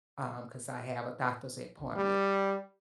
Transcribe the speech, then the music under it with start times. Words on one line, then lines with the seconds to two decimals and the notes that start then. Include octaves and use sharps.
um, 'cause I have a doctor's appointment."
1.97 G3